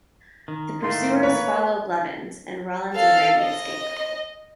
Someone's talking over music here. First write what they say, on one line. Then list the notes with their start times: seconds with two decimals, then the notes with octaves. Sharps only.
The pursuers follow Blevins, and Rawlins and Grady escape.
0.48 D#3
0.83 A2 D#3 A3 A#3 C6
1.23 B4 C#5
2.94 A4 F5
3.38 D#5